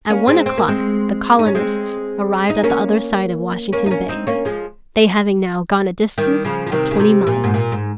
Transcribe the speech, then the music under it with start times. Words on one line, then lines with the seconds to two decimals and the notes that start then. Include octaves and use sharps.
At one o'clock the colonists arrived at the other side of Washington Bay, they having now gone a distance of twenty miles.
0.10 A#3 C#4
0.27 G#3 C4
0.46 C4
0.58 A#3
0.68 G#3 C4
1.39 D#4
1.47 C#4
1.55 G#3 C4
2.50 D#4
2.64 A#3 C#4
3.73 A#3 C#4
3.86 D#4
3.90 A#3 C#4
4.09 C4 D#4
4.27 A#3 C#4
4.45 F3 G#3
6.18 D#3 G3
6.45 C#3 F3
6.66 F3
6.72 C3 D#3
6.91 C#3
6.99 C3
7.27 A#2
7.44 G#2
7.54 A#2
7.72 G#2